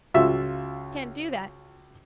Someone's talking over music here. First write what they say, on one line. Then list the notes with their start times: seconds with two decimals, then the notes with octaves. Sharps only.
Can't do that.
0.14 C#2 F4 F#4 E5 E6